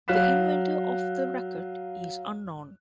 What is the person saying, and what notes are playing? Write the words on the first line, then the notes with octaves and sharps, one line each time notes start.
The inventor of the rackett is unknown.
F#3 F5 F#6 B6 E7